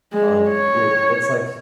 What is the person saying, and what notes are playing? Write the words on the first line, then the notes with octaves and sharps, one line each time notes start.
Um, your it's, like,
G#3
C#5